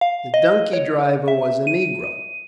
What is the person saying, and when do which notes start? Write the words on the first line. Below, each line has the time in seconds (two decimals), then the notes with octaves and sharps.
The donkey-driver was a negro.
0.01 F5
0.34 D#5
0.73 C#5
1.28 E5
1.67 D#7